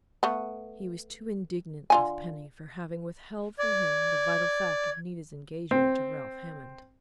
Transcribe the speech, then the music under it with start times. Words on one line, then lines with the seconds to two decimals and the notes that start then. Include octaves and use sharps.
He was too indignant with Penny for having withheld from him the vital fact of Nita's engagement to Ralph Hammond....
0.23 A3 B3
1.90 D3 F4 G#5
3.59 D5 G#6
5.71 C4